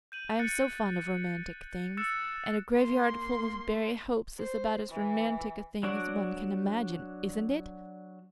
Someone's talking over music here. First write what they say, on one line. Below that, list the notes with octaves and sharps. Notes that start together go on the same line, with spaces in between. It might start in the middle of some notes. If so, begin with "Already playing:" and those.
I am so fond of romantic things, and a graveyard full of buried hopes is about as romantic a thing as one can imagine isn't it?
G6 D#7 F#7
F#6 A6 C#7
E6 F#6 A6 C#7 E7
A#3 C6
C5
E3
F#3 D4 F#4 D5